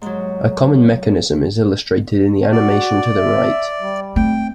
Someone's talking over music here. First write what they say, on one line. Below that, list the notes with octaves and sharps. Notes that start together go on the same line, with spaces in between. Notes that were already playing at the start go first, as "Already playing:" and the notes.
A common mechanism is illustrated in the animation to the right.
G#2 F#3
F#4 D5
E5
G3
A3 C4 G5